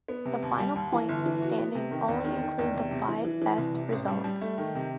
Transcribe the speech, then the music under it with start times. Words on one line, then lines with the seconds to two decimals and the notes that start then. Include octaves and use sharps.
The final points standings only include the five best results.
0.08 B3
0.25 C3
0.42 D#2
0.59 G3
0.76 D#2
0.92 E3
1.09 G1
1.26 E3
1.42 F#4
1.58 B3
1.75 C3
1.92 D#3
2.08 E2
2.24 D#3
2.42 D#3
2.58 E2
2.75 C3
2.91 C3
3.08 E3
3.25 E3
3.41 E3
3.58 C2
3.74 C3
3.92 A1
4.08 G3
4.24 G3
4.41 A3
4.58 D#3
4.75 C3